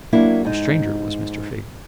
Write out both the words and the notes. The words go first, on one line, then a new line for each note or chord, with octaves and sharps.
The stranger was Mr. Fagin.
F#3 A#3 D4 E4
G#2 D#4